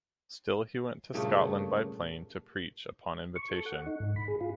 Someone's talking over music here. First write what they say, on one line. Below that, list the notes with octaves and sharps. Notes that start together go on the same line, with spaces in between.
Still he went to Scotland by plane to preach upon invitation.
G2 A#2 C#3 A3
C#6
A4
F#5
D#4
G#2
B5
G#4
F4